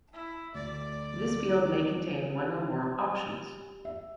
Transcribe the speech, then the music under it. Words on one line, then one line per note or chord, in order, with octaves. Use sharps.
This field may contain one or more "Options".
E4
D2 D5 A6
G4 G#4
E5